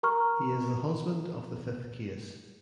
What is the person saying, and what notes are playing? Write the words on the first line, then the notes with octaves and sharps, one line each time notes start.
He is the husband of the fifth case.
A#4 A#5 C#6 F6